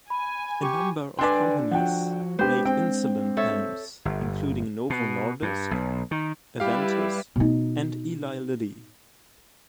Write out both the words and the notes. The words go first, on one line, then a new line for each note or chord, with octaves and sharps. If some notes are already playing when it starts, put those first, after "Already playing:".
A number of companies make insulin pens including Novo Nordisk, Aventis and Eli Lilly.
G#5 B5
G4 C#6
D3 D4 B4 D5 G5 G#5 C6
F3 F#4 F#5 G5
G#3 B3 D4 G4 C5
C4 G5
A4 C#5 E5
G1
B2
G2
B1
D#3
G3 E4 G4 B4 F5
B2 D#4